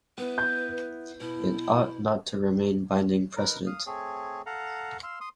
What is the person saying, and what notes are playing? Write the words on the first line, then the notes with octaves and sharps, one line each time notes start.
It ought not to remain binding precedent.
B3 E4 B4
G6
B2 E4
D#4 A#4 B4
F5 D#6
A3 C4 G#4 C#5
A4 F5 F#5 A#5
F5 C6 E6
C6 D#6